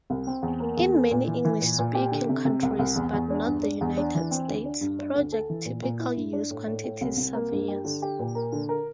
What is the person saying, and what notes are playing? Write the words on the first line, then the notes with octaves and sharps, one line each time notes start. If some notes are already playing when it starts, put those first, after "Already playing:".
In many English-speaking countries, but not the United States, projects typically use quantity surveyors.
C2
C4
E2
A#3
E2
A4
A#2
E3
E3
A#2
A#2
G4
D3
C3
C3
C2
C2
E2
E2
D4
G2
D4
E2
D4
E3
C4
D2
D4
G2
D4
D2
A4
E3
A#2
A#2
E4
G2
D4
A2
A2
A2
C2
C2
A#3
G2
G4
D3
G4
A#2
A#4
D3
A#4